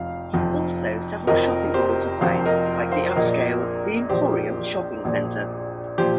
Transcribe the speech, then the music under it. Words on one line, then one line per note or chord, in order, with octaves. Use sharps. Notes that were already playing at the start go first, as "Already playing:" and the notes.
Also several shopping malls are found, like the upscale The Emporium shopping center.
Already playing: F1 F2 F3 F5
F1 F2 F3
F1 F2 F3 A#4 D#5
G4 C5
F1 F2 F3 C5 F5
A#4 D#5
C5 F5
A#1 A#2 F3 A#4 D#5
A#1 A#2 F3 G4 C5
A#1 A#2 F3
A#2 F3 G4 C5